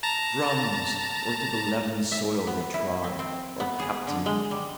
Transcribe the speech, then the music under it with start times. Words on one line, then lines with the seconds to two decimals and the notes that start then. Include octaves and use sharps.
Drums! or To the Leaven'd Soil they Trod, Or Captain!
0.03 A5 A#5
2.12 E5
2.47 B3
2.74 E4
3.04 C4
3.19 C4
3.60 B3
3.80 G#4
4.07 D3
4.26 G#3
4.51 G3